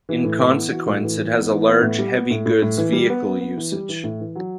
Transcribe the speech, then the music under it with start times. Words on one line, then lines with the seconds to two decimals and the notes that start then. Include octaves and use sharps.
In consequence it has a large Heavy Goods Vehicle usage.
0.09 E3
0.24 A2
0.40 B3
0.55 E3
0.72 F#4
0.87 A2
1.04 E3
1.19 E3
1.35 B3
1.51 E3
1.67 B3
1.82 A2
1.99 G3
2.15 B3
2.30 A2
2.46 A2
2.62 A2
2.77 E3
2.93 G3
3.10 B3
3.25 B3
3.41 B3
3.57 E3
3.72 G3
3.89 E3
4.04 A2
4.20 E3
4.35 F#3